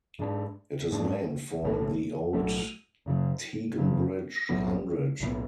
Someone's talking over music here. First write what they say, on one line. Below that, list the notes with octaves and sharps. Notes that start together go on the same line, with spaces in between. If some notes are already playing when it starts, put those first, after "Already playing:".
It is named for the old Teignbridge hundred.
G#2 G#3 D4
G#2 G#3 D4
B1 A2 F#3 A3
B1 A2 F#3 A3
F#2 C#3 F#3
F#2 C#3 F#3
B1 A2 F#3 B3
B1 A2 F#3 B3